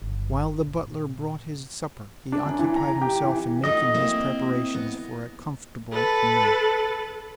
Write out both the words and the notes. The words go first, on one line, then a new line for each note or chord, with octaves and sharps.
While the butler brought his supper he occupied himself in making his preparations for a comfortable night.
G1
A#2
D4
F#2
E3
A#5
G4
E3
A3 D#4 F#4 D#5
A#3 C4 E4
B3
A4 B4